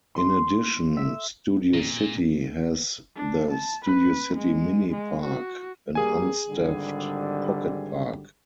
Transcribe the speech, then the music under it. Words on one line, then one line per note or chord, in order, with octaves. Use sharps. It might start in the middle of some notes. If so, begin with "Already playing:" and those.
In addition, Studio City has the Studio City Mini-Park, an unstaffed pocket park.
C6
E5
A#2
D4
A5
B4
G#3
G#3
F#4
G2 G3 A#3 G#4 G#5
G#1 D3 G3